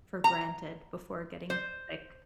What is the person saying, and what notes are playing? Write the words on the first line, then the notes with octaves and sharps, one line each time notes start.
for granted before getting sick.
A#5
C5